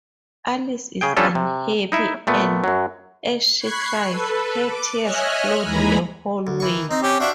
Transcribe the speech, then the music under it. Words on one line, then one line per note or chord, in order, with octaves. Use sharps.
Alice is unhappy and, as she cries, her tears flood the hallway.
C#3 G#4 G5
F3 G3 C#4 D4 F4 A4
C3
D#4 E4 E5
A#2 A3 B3
F#2 F#3
B5 C#6 F#6 G#6 C7
A4 B4
D6
C#5 D#5 E5 G#5 F6 F#6
D#2 E3 G#3 G#5 A#5 B5
D2
D#3 E3 C#6
C4 D#4
C#4 G4
D4 F#4 C5 E5 F5 G5